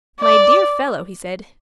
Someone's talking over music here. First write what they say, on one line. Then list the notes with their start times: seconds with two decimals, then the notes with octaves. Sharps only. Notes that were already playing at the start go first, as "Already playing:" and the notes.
"My dear fellow!" he said.
0.20 D5